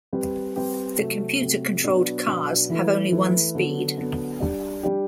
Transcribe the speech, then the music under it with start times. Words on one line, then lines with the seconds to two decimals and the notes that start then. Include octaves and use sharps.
The computer-controlled cars have only one speed.
0.13 G3 C4 G4 B4
0.56 G3 C4 G4 B4
0.98 C3 F#3 A3 C4
1.41 C3 F#3 A3 C4
1.83 B2 F#3 B3 D4 F#4
2.26 B2 F#3 B3 D4 F#4
2.69 E3 A3 E4 B4
3.12 E3 A3 E4 B4
3.55 D3 F#3 B3
3.97 D3 F#3 B3
4.40 G3 D4 G4
4.83 G3 D4 G4